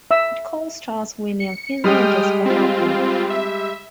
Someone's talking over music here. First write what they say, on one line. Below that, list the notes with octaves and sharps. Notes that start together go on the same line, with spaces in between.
It co-stars William Finley and Jessica Harper.
E5 E6
C#7
G3 G#3 G5 D#6 F6
C4 F4
E5